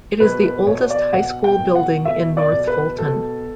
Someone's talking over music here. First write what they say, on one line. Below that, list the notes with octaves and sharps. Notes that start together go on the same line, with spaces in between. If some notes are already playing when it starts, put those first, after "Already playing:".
It is the oldest high school building in North Fulton.
B2 B4
B4
B2 C#5
D5
B2 F#5
G5
B2
F#5
B2 E5
D5
B2
B4
B2 A4